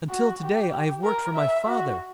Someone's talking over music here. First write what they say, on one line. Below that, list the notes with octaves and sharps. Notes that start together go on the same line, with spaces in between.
Until today I have worked for my father.
F#4
G4
A#4
E5
F#4